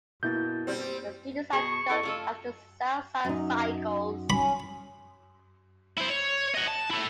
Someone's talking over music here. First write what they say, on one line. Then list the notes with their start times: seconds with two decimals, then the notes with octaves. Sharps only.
The students are dubbed as the "South Side Psychos".
0.23 B2 A#3 E4 G6 A6
0.67 G3 C4
1.53 B2 G#4 A5 C#6
1.90 E4 A4 D#5
2.03 A3 F4 A4
3.25 F#2 D#4
4.30 C#4 B5
5.97 E4 C5
6.09 C#5
6.55 D#5 F#5
6.68 A5
6.91 E4 A4